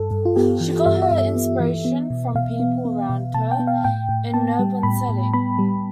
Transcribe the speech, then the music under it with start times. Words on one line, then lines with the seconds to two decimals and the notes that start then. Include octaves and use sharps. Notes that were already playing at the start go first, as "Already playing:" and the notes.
She got her inspiration from people around her, in an urban setting.
Already playing: G2 A4
0.11 G2
0.25 F4
0.36 B3 G4
0.61 E3
0.86 G2 E5
1.02 E5
1.11 G2
1.18 E5
1.35 B3
1.60 E3
1.85 B3
2.10 B2
2.35 B2 F5
2.60 B3
2.85 B3
3.10 B2
3.34 B2 A5
3.51 G5
3.59 B3
3.67 F5
3.84 A2 G5
4.09 A2
4.34 B3 A5
4.59 G3
4.83 A2 B5
5.09 A2
5.33 B3 B5
5.59 G3